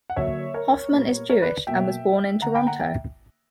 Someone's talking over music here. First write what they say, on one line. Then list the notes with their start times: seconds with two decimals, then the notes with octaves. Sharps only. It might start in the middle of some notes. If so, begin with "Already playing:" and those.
Hoffman is Jewish, and was born in Toronto.
0.10 F#5
0.16 D3 F#3 A#3 C#5 E5
0.54 A#4 C#5
0.92 A#2 G3 B3
1.29 A#4 C#5
1.42 B4 D5
1.67 B2 F#3 A#3 E5 G5
2.42 D3 A#3 F#5 A#5
2.54 G5 B5
2.67 F#5 A#5
2.80 E5 G5